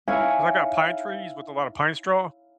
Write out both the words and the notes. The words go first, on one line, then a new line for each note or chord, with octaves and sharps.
'cause I got pine trees with a lot of pine straw
D#4 E4 C#5 F5 G#5